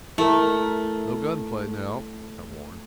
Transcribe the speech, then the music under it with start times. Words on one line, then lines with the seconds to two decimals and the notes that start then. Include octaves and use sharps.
"No gun play now," I warned.
0.18 A3 E4 A#4